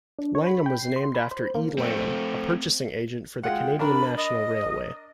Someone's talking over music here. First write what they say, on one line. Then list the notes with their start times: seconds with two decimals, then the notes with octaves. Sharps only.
Langham was named after E. Langham, a purchasing agent for the Canadian National Railway.
0.19 D4
0.35 C#5
0.46 B5
0.66 G5
0.79 C7
0.96 C6
1.14 B5
1.31 C5
1.55 A#3
1.78 A3 C4
3.43 G#3 F4 F#5 G5
3.79 D4 A#4 D5 B5
4.17 D#5